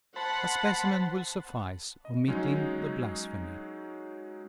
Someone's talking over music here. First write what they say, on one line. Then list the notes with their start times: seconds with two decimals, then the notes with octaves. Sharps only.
A specimen will suffice, omitting the blasphemy.
0.16 C5 F#5 A5 B5
2.05 D#5
2.28 F#3 G#3 C#4 D#4